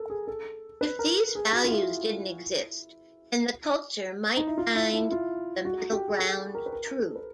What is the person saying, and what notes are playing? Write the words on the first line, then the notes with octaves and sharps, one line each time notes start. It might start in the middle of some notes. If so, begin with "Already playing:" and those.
If these values didn't exist then the culture might find the middle ground true.
Already playing: A4 A#4
G#4
A4
B4
A#4
G#4
F#4
F4
E4
D#4
E4
F4
E4
E4
F4
F#4
G4
G#4
A4
A#4
B4
A#4
A4
B4